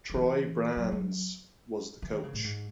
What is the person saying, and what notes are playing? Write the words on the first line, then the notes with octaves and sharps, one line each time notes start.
Troy Brandes was the Coach.
F#3
E3
F#3
F#3
E3
D#3
C#3
A2
G#2